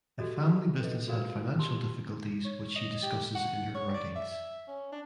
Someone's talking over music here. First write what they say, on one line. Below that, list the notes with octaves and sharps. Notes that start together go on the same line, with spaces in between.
The family business had financial difficulties which she discusses in her writings.
F#4 G4 A4 D5 D#5
A4 B4 D#5
F4 F#4 G#4 A#4 D5 F5
F4 G4 A5 C6 E6
C#5
D#5
G4
F#5
C#5
D5
E5
C#4
D4